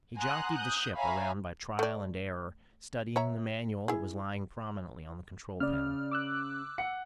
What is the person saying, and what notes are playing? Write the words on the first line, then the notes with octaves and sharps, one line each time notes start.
He jockeyed the ship around by trial and error, studying the manual that was lying prominently on the control panel.
F#5 G#5 A#5 C6 D#6 F#6
D#6 F#6 G6
C#5 E5 F5 G#5 A#5 B5
A3 D5
C#5 E5 A#5
E4 G#4
C#3 D5 F6
D6 E6 F#6
F#5 C#7